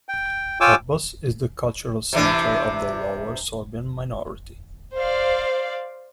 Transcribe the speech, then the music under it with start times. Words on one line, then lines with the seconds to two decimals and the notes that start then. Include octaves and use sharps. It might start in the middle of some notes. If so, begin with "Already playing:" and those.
Cottbus is the cultural centre of the Lower Sorbian minority.
0.09 G5
0.61 F4 C#5 G5 G#5 D6 E6
2.13 C3 E3 D4
4.95 C5 D5 F5